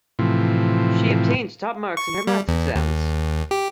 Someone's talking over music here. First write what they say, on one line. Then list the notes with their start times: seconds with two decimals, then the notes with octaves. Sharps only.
She obtained top marks in her maths exams.
0.19 A2 C3 E3 F3
1.97 C#6
2.27 G3
2.48 E2
2.75 D#2
3.51 G4